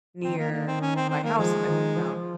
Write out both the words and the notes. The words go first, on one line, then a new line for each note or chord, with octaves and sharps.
near my house in my hometown.
D#3 C4
A#3
A#3
C4
C#4
C4
C4
A#3
F3 G#3
D#3
F3